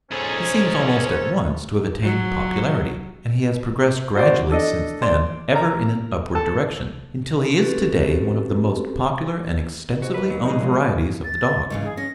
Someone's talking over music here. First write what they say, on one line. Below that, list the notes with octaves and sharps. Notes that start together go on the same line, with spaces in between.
He seems almost at once to have attained popularity, and he has progressed gradually since then, ever in an upward direction, until he is to-day one of the most popular and extensively owned varieties of the dog.
B1 C#4 G#4 A4 C5 C#5 A#5 A6
F#3
F#4 C5 D5
D4 A4 D#5
D5 C6
A#4 A#5
A4 A5
C4 C#4 F#4 G4 A4 B4
G#2 F#4
D#2 B4
F#3
F3 F#3 G#3 D#4
A#2
A6
G#2 C#3 E3
G#4
C#4 A#6